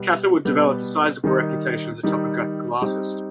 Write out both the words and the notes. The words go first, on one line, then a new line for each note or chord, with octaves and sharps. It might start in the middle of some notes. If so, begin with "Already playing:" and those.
Catherwood developed a sizeable reputation as a topographical artist.
Already playing: B2 G3 B3
B2 G3 B3
D#3 G3 D#4
D#3 G3 D#4
G3 C4 D#4 G4